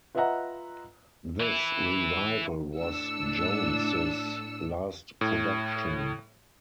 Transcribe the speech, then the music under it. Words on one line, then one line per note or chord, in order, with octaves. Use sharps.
This revival was Jones's last production.
F4 B4 D#5 E5 F#5 A#5
E3 E4
A2 D4 E6 C#7
A2